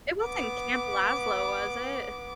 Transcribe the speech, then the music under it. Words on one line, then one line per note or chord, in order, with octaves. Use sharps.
It wasn't Camp Laszlo, was it?
B3 D6